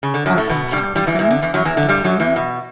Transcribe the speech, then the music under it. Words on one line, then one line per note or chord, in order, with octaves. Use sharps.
"Art thou happy, friend?" asked D'Artagnan.
C#3
D3
F#2 F#3
A2 A3
B2 B3
G2 G3
G2 G3
E2 E3
E2 E3
D3
E2 E3
F#2 F#3
E2 E3
D3
G2 G3
F#2 F#3
E2 E3
B2